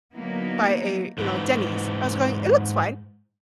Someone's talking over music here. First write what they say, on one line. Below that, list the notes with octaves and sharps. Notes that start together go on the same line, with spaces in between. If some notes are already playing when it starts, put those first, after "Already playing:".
by a, you know, Denny's. I was going, "It looks fine."
D3 F#3 A#3 B3 D#4 E4
G#2 E3